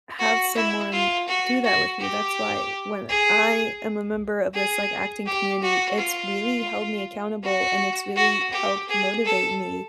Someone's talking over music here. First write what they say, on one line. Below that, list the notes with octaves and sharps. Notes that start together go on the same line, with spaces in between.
have someone do that with you, that's why when I am a member of this like acting community, it's really held me accountable and it's really helped motivate me
F#4
E4
F4
F#4
F#4
G4
G#4
G#4
G4
F#4
F4
F#4
F#4
G4
G#4
A4